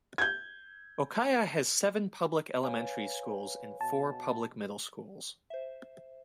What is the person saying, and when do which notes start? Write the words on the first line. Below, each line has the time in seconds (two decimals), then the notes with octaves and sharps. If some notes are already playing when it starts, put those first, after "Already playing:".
Okaya has seven public elementary schools and four public middle schools.
0.18 G6 G#6
2.63 B4 C#5 F5 G#5
3.81 B2 A5
5.50 C5 E5